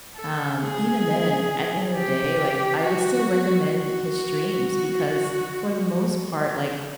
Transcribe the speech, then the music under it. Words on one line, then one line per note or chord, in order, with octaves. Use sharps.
um, even then, at the end of the day, like, I would still recommend his streams because for the most part, like,
A4
G#4
G4
F#4
F#4